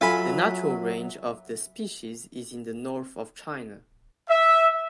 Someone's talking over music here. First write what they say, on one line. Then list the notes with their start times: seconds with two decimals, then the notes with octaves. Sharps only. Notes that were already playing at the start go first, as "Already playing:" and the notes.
The natural range of the species is in the north of China.
0.01 F#3 F4 A4 E5 G#5 B5
4.28 E5